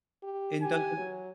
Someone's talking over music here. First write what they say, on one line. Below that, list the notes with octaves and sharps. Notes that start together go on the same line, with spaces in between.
in Dunkin'?
G4
G4 G#5
F#3